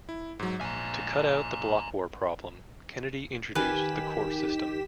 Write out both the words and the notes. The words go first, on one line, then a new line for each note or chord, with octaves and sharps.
To cut out the block war problem, Kennedy introduced the court system.
E4
G#2 F#3
A#1 G#5 A#5
D#3 G4 B4 F5 G#5 B6 E7